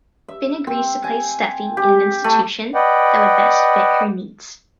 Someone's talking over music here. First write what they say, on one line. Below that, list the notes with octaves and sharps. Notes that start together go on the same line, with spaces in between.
Finn agrees to place Steffy in an institution that would best fit her needs.
E5
C4
G#5
G4
A3
B4 D5 D#5 F#5 G5